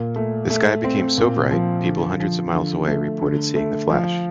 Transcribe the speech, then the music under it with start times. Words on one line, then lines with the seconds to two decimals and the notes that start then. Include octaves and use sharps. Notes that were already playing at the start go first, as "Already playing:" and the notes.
The sky became so bright, people hundreds of miles away reported seeing the flash.
Already playing: A#2 A#3
0.16 A3
0.50 A3
0.84 C4
1.18 A#2
1.51 F3
1.86 D3
2.20 F3
2.53 D3
2.87 A3
3.21 D3
3.56 A3
3.90 F3